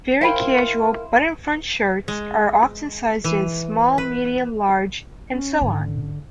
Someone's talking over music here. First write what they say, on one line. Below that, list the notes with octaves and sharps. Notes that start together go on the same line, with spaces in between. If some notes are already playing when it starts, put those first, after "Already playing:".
Very casual button-front shirts are often sized as small, medium, large, and so on.
E4 A#4 C5 F5 G5 B5
G#3
E3
B4
C#4
G#2 D3 C#4